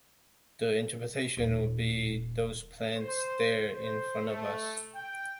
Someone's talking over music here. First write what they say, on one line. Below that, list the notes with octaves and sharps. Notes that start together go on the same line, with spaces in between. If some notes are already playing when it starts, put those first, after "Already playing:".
The interpretation would be "those plants there, in front of us".
D#1
C5
C5
A3
G5